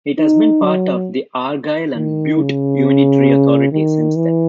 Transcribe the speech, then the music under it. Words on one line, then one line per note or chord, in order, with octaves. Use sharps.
It has been part of Argyll and Bute unitary authority since then.
D#4
F#3
D#3
C#3
D#3
E3